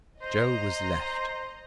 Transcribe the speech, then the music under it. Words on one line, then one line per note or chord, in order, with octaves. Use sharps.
Joe was left.
C5 D#5 A#5